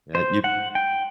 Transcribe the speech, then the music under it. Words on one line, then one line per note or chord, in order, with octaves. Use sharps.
Yeah, you
C5
F#5
G5